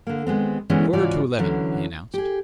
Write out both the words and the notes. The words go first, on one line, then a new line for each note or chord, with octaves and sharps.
"Quarter to eleven," he announced.
D3 A#3
D#3 G#3 B3 C4
D3 E3 G#3 B3 C#4
G#2 C#3 E3 F4 F#4 D5
D3 E3 F#3 C#4
G4 G#4